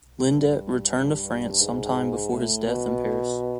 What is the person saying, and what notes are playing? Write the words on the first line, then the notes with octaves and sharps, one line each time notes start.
Lindet returned to France some time before his death in Paris.
G2
G#2
A2
B2